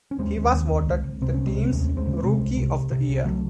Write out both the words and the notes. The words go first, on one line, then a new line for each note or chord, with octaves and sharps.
He was voted the team's Rookie of the Year.
C#4
D#2 G#3 C4
D#2
D#2
C#2
C#2
C#2
C3 C4
C2 C#4
G#3 C4
C3
D#2 A3 C#4
D#2
G#3 C4
C#3
C3 G#3 C4
C2
C3
C2
C3
C2
C#3 F#3 A3